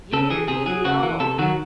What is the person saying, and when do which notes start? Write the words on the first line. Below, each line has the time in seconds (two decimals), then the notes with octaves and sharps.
"Here we are!"
0.13 C#3 A4
0.30 E3 G#4
0.48 C3 G#4
0.66 F#3 G#4
0.84 C#3 F#4
1.03 E3
1.20 C3 A4
1.38 D#3 F#3 F#4